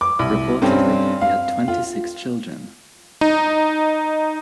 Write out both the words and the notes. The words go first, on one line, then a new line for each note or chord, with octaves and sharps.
Reportedly, he had twenty six children.
D6
C2
G2 C4 C#4
F5
F4
D#4